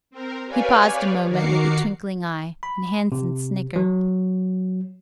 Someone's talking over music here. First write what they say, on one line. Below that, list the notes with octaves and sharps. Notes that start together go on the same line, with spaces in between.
He paused a moment with a twinkling eye, and Hansen snickered.
C4 A#4
G4 B4 C#5 D5 F5 G#5
D#3 F#4 A#4 D6 C7 C#7
B5
C3
F#3